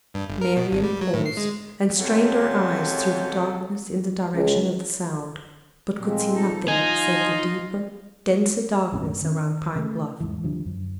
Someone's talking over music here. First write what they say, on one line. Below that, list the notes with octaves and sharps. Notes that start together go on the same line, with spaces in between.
Marian paused and strained her eyes through the darkness in the direction of the sound, but could see nothing save the deeper, denser darkness around Pine Bluff.
G2
G1
A#4
B2
G#1
G3
F#3
A2
C7
G#3
F2 C3 F#3 G#3 C#4 A4
C#2
A#2 F3 G#3 C4
D#4 A4
F3 D#4 F4 D#5 G#5
B1 F#2 A2 C#4
D#3 C#4
C#3 A3
E2 G#2 E3
D#2 D3 F3 G3
F#2